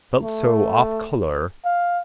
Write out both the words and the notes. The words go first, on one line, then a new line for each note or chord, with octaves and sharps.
Felt so off colour.
A3
F5